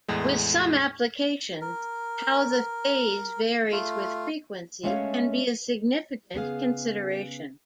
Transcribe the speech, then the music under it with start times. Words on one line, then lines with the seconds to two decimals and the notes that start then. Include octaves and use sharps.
With some applications, how the phase varies with frequency can be a significant consideration.
0.08 E2 A2 G#3
1.61 A#4
3.72 A3 F4
4.83 G#3 A3 C#4 C#5 D#5 F5
6.34 C#3 B3 G#4 F5